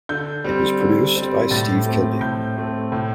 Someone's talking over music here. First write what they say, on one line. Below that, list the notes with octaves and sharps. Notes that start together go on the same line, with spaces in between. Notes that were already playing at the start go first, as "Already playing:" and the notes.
It was produced by Steve Kilbey.
D3 G6
G3 C4
D3
G3 C4
A2 A6
A3 C4
A2 G6
A3 C4
A2